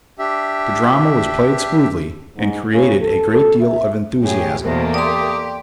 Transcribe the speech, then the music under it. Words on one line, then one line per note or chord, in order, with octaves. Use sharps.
The drama was played smoothly, and created a great deal of enthusiasm.
D4 G4 E5
G#2
C#3
A4
E5
A2 G4 G#4 C#5
E2 B2 A3 A#3 A#4 C5
G4 D5 C6 D6 D#6